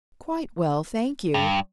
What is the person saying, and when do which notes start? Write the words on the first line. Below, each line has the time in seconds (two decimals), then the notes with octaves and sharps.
"Quite well, thank you."
1.34 G2